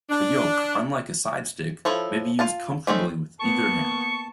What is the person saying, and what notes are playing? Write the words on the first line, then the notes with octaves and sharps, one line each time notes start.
A yoke, unlike a side-stick, may be used comfortably with either hand.
D4
F3 E4 A4 C#5
F4 F5 A5
A3 C4 C#4 D#4
A#3 B3 A5 C#6 C#7